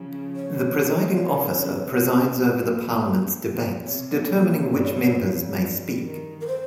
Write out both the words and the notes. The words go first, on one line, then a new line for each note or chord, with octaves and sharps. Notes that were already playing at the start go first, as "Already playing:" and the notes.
The Presiding Officer presides over the Parliament's debates, determining which members may speak.
Already playing: C#3 F3
C#5
D#3
C#3
C3
A#2
C3 C#5
A#2
G2
F2
G2
D#3
A#4
C5